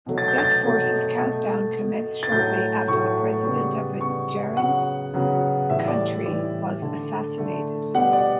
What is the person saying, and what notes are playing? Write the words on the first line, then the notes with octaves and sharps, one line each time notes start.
Death Force's countdown commenced shortly after the president of a Jerran country was assassinated.
B2 F#3 A3
A6
G6
A6
B2 F#3 A3
B2 A3
A3
B2
A6
A2 F#3 A3 G6
A2 F#3 A3 C#6
C#3 G3 B3
C#3 G3 B3 C#6
C#3 F#3 B3 F#5
C#3 F#3 B3
A2 E3 G3 E5
D5
A2 E3 G3 D5
D3 A3
D3 A3
B2 G3 B3 F#5
D5